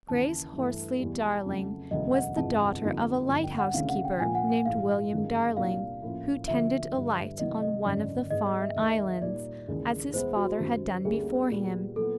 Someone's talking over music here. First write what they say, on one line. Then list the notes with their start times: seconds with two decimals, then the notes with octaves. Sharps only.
Grace Horsley Darling was the daughter of a lighthouse keeper named William Darling, who tended a light on one of the Farne Islands as his father had done before him.
0.09 D#2 C#3 E3 A5
0.53 G2 E3 A3
1.00 E2 B2 G3
1.22 A5
1.46 F2 C#3 F#3 A3
1.91 E1 D2 C#3 F#3 D#5
2.14 F#5
2.37 G1 F2 C3 E3 G#3 A5
2.82 F2 D3 G3 A#3 D#4
3.28 G1 F2 D3
3.44 G5
3.58 F#5
3.74 D2 C3 D#3 G#3 C#4 F5
3.89 F#5
4.05 G5
4.20 A#1 A#2 F3 A#3 G#5
4.35 F#5
4.50 F#5
4.66 A#1 G#2 E3 F5
5.10 G1 F#2 D#3 G#3
5.57 C2 A#2 G3 A#3 D4 F5
6.02 A2 F3 A#3 C#4 F4
6.48 D2 D3 F3 E5
6.93 G2 D3 G3
7.39 C2 C3 D#3 F#3 A#3 D#5
7.62 D#5
7.85 G#1 F#2 D3 F#3 D5
8.31 G#1 G#2 D#3 G#3 B3 D#5
8.46 D#5
8.61 E5
8.76 D#2 D#3 G#3 E5
9.10 E5
9.22 A#2 G3 A#3 D#4 D5
9.68 D#2 C#3 E3 G#3
10.13 E2 B2 G#3 B3 E4 C5
10.36 F#4
10.59 F#2 D#3 G3
11.05 D2 D3 G3 A#3 C#4 G#4
11.51 A#2 G3 B3
11.96 A#2 F#3 B3 A4